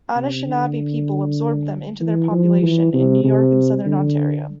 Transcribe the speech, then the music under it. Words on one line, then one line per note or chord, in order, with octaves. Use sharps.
Anishinaabe people absorbed them into their population in New York and southern Ontario.
C3
D3
E3
F3
E3
C3
C3
D3